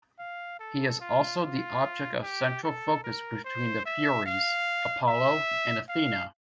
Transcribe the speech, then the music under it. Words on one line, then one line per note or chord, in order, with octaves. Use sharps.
He is also the object of central focus between the Furies, Apollo, and Athena.
F5
A4
F4
F4
G4
A4
A#4
C5
E5
F5
E5
F5